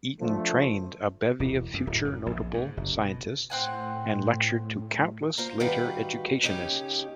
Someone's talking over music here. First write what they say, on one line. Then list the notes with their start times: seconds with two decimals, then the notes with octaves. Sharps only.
Eaton trained a bevy of future, notable, scientists and lectured to countless later educationists.
0.20 D3 F3 A3
1.40 E1
1.74 F#2
1.87 D1
2.04 F#2
2.26 A#1
2.54 G#2
2.77 F#1
3.01 B2
3.50 A2 C4 F#5 G#5
5.38 A#3 F4 C5
5.60 D#3 G3 D#4 F#4 B4 F5
6.43 C#3 A#3 C#4 D#4 G4